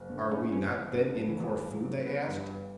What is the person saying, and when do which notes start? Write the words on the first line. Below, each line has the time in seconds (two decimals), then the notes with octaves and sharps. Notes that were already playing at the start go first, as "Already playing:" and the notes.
"Are we not, then, in Corfu?" they asked.
Already playing: F#1
0.09 D3
0.31 F#1 C#4
0.52 E2 C#4
0.74 F#1 C#4
0.96 D3 B3
1.18 F#1
1.29 E3
1.40 E2
1.61 G1
1.84 F#3
2.05 B3
2.27 G2
2.48 G1